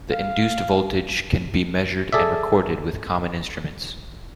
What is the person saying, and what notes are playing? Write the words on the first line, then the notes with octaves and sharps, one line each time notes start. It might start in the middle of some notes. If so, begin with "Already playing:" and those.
The induced voltage can be measured and recorded with common instruments.
F5
G#4 A4 D5 E5